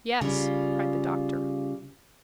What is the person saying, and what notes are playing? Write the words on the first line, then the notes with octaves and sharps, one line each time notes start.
"Yes," cried the doctor.
C#3 G3 F4